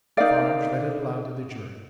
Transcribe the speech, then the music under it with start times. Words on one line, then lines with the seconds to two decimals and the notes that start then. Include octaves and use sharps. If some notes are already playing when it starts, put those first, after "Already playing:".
Defarge read it aloud to the jury.
0.17 D#4 A#4 D5 F5